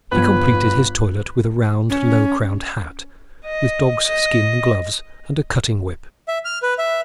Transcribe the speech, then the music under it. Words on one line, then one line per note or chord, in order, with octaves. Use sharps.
He completed his toilet with a round, low-crowned hat, with dog's-skin gloves, and a cutting whip.
G1 F3 B4 G#6
C#4
D#5
D#5
E5
F6
B4
E5